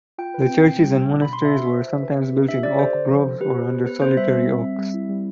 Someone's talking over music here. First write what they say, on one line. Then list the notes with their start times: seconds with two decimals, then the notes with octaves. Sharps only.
The churches and monasteries were sometimes built in oak groves or under solitary oaks.
0.18 F4 G5
0.34 B4
0.42 G5
0.49 C4
0.65 B2
0.80 G3
0.95 B2
1.10 B2
1.22 B2 B5
1.33 C6
1.41 B2 E5
1.57 F4
1.72 C5
1.87 C5
2.03 B4
2.18 C4
2.33 G4
2.48 D4 E5
2.63 D4 D5
2.79 A4 C5
2.94 D3
3.10 F3
3.25 F3
3.40 G4 B4
3.55 C5
3.71 C5
3.86 B3 B4
4.02 B3 C5
4.17 G3 E5
4.33 C4
4.48 C4
4.63 C4
4.78 G3
4.94 E4
5.09 G3